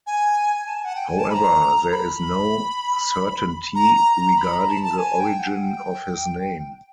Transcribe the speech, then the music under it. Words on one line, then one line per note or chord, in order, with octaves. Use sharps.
However, there is no certainty regarding the origin of his name.
G#5
G#5
A5
F#5
G5
G#5
A5
B5
A#5
B5
A#5
A#5
A#5
B5
A#5
A5
A5
G#5
G5
F#5
G5